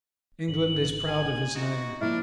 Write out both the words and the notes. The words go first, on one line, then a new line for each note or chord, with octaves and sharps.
England is proud of his name.
G#1 F#7
G#5
D#4 F4 F#4 D#5
F3 A#3 D4 E4 F6